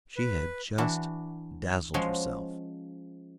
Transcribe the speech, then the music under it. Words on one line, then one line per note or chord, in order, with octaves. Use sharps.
She had just dazzled herself.
B4
E3 D4 F#4
F3 G#3 C#4 F#4 G#5 C6